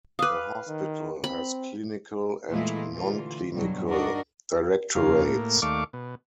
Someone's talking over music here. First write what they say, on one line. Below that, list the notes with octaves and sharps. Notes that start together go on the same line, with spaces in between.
The hospital has clinical and non-clinical directorates.
B4 F5 D6 D#6
D#3
C4 B5
A#2 E3 G#3 A3 E4 F4
D3 E3 F4
G2 B2 F#3
D4 D#4 F#4 A#4 D5 D#5
F2 C#3 A#3 F5
A2 A#3
D#2 A3 D5 F5 C#6 D6
B2